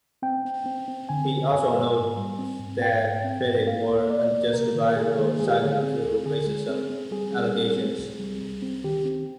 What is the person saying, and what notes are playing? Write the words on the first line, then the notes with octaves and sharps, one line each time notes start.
He also notes that critics were unjustifiably silenced through racism allegations.
C4 G5
C4
C4
C4
D3 G#5
D3
G2 G#5
G#3
G#2
G3
C4
G#2
G#2 G5
G#2
C4
G#2
A#3 F5
D2
A#3 D5
A#3
C3 A#4
D#3
A#3 G#4
D#3
G#3 G#4
G4
G#4
D3
C4
D2
D3 G#4
G#3
C4
C4
G3 G#4
G3
C4
C4
C2
G3
C2
C4
D#3 G4
C4